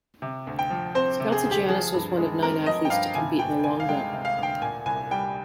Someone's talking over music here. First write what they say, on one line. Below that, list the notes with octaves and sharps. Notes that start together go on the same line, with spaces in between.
Skaltsogiannis was one of nine athletes to compete in the long jump.
C3
D2
G5
F3
C4 C5
C3
G#4
D2
G4
F3 G#4
G2
G#3
C4 A#4
F3 D#5
G5
G2 F5
C3 G#5
D2 G5
D#3 G#5
F5
G#3 G5
C3
F5
D2 G5
A#2 G#5
C2 G#5
G3 G5